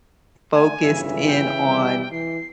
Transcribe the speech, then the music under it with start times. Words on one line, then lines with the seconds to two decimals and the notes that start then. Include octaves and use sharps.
focused in on
0.54 D3 A3 G#5
0.83 G1 C#3 E3 E5
1.26 G5
1.66 G3
2.12 E3 C7